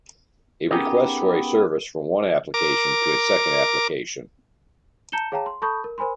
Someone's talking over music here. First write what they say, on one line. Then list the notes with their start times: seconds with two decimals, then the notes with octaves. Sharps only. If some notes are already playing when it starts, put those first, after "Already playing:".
A request for a service from one application to a second application.
0.71 B3 C#4 D#4 G4 G#4 A#4
2.54 A#4 D6
5.12 A5 A#5 G6 C#7 E7 G7
5.32 G#4 C#5 F5 G5 A5 A#5
5.46 C6
5.62 A4 A5 B5 C#6 D#6 G6
5.84 A#4
5.98 A#4 C5 G#5 B5 C6